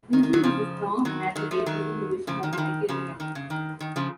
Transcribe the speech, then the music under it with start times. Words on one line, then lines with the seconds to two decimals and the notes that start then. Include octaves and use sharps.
Wilson was a strong advocate, using the vision of Michael Young.
0.13 D#3
0.23 D#3
0.33 D#3 F#3
0.44 C#3 F3
1.05 D#3 F#3
1.36 D#3 F#3
1.51 F3 A3
1.66 D#3 F#3
2.27 C#3 F3
2.43 D#3
2.53 F3
2.58 D#3
2.89 C#3 F3
3.20 D#3
3.35 C#3
3.50 D#3
3.80 D#3
3.96 C#3 F3